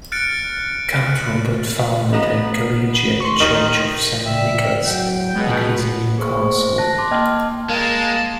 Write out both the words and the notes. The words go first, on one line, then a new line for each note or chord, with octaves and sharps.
Count Robert founded a collegiate church of Saint Nicholas in his new castle.
F6 F#6 A6 C#7 D7
B3 D#4
C6 C#6
D#2 D#3 D#4
C#3 D5 E5 G5
E2 A2 F#3 F#4 F#5 G5
C#2 B2 G#3
A#3 G#4 C5 C#6
C5
A5 F#6 A#6
A5 C6 D6
A#3 D#5 G5 A5 F6
G#3 A#3 A5